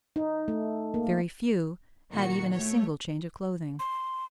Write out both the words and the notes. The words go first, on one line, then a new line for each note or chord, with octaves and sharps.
Very few had even a single change of clothing.
D#4
A3
A#3
A#2 D#3 F#4 C#7
A3 C#5
C6